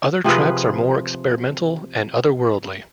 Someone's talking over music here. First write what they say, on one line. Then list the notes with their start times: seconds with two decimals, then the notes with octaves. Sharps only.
Other tracks are more experimental and otherworldly.
0.24 C3 F3 G#4 B4